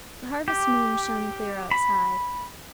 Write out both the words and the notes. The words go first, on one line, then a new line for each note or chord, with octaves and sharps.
The harvest moon shone clear outside.
G4
B5